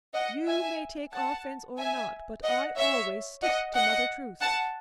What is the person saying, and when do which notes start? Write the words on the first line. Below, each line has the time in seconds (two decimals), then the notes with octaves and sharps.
You may take offense or not but I always stick to mother truth.
0.14 D#5 F#5
0.47 E5 G#5
1.13 F#5 A5
1.78 E5 G#5
2.43 D#5 F#5
2.77 C#5 E5
3.42 D#5 F#5
3.75 D#5 F#5
4.41 F#5 A5